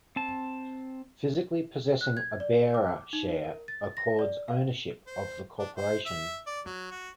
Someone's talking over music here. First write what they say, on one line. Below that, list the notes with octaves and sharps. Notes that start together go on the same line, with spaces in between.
Physically possessing a bearer share accords ownership of the corporation.
C4 A5
F#6
G#6
D5
D6
D#4
A#4
A6
A#6
D5
F5
C5
D4
C5
E5
D5
F#3
F#4